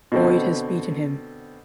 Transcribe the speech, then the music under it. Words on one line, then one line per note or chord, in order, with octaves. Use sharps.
Boyd has beaten him.
B2 D3 C4